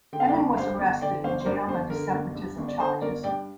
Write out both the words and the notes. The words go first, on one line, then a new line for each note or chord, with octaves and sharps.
Emin was arrested and jailed under separatism charges.
D3 G5
F5
D5 G5
G1
G2 C5 F5
G1
D3 D5 G5
G1 C5 F5
C5
G2 A#4 D5
G1 C5
D3 A#4
G1
G2
G1
D5
D3 C5
G1 A#4 D5
G2 D5 G5